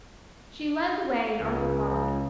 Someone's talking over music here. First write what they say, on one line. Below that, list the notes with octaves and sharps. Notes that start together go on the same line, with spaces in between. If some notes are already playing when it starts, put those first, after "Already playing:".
She led the way and Arthur followed.
C#2